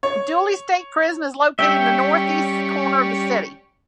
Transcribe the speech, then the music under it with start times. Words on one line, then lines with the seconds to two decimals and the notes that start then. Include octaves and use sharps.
Dooly State Prison is located in the northeast corner of the city.
0.03 C#5
1.59 G3 C#4 E5 G5